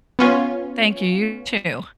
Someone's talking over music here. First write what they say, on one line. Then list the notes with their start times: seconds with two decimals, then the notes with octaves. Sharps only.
Thank you, you, too.
0.19 B3 C#4 F4